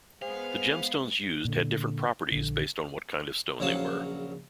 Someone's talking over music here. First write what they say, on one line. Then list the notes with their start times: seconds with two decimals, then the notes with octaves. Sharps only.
The gemstones used had different properties based on what kind of stone they were.
0.22 G#3 B3 G#4 C5 F5
1.45 A#2 D3
2.32 A#1 D3
3.60 A#1 C#3 F#3 F5 A5